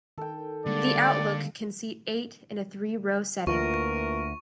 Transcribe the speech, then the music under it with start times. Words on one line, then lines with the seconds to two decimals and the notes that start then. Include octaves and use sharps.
The Outlook can seat eight in a three-row setting.
0.18 D#3 A4 G5
0.66 D3 G3 G#3 A#3 D5
3.47 D2 E3 A#3 F4 A#4 C#6